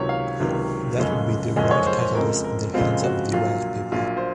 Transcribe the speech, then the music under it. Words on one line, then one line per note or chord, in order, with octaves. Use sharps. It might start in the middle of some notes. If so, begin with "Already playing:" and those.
That would be the right catalyst in the hands of the right people.
Already playing: C#2 C3 D#3 F#3 C#5
F5
C#2 C3 D#3 F#3
F#1 F2 C#3 G#3 C#4
F#1 F2 C#3 G#3 C#4 D#5
C5
C#5
C5
C5
F2 C#3 G#3 C4 A#4
A#4
F2 C#3 G#3 C4 F4
F#4
A#1 A#2 F#3 F4
A#1 A#2 F#3 F4
C5